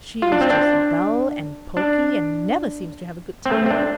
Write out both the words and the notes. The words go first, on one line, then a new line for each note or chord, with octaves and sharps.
She is just dull and poky and never seems to have a good time.
F4
D4
C4
D4
D4
C4
A3
C4
D4